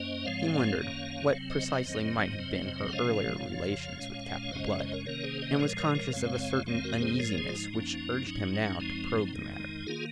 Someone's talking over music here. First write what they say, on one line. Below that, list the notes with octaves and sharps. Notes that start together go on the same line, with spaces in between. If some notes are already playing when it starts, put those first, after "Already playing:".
He wondered what precisely might have been her earlier relations with Captain Blood, and was conscious of a certain uneasiness which urged him now to probe the matter.
Already playing: F#2 A#3 C#4 C5 D#5
G#2 F3 G#3 C4 C#5 F5
F#2 D#3 A#3 C#4
C3 F#3 C4
C5 D#5
C5 D#5
F2 D#3 F#3 C4
F2 C3 F#3 C4
F#5
C3 F3 G#3 C#4 C#5 F5
F2 C#3 F3
A#2 G#3 C#4
C#5
F#2 C#3 G#3 C#4 C5 D#5
C#5 F5
C5 D#5
A#4 C#5
C3 D#3 A#3 C#4 A#4 C#5
G#4 C5
C5 D#5
A#2 F3 G#3 A#4 C#5
A#4 C#5
A#4 C#5
F#2 C#3 G#3 C4 C#5 F5
F2 D#3 G#3 C4 C#5 F5
F#4 A#4
A#4
G#4 C5
G#2 F3 G#3 A#4 C#5
G#4 C5
F4
D#4
F#2 F3 A#3 C#4
G#2 F#3 C#4 D#4
F#2 F3 G#3 C4 D#4
F2 D#3 G#3
D#3 A#3 F4 G#4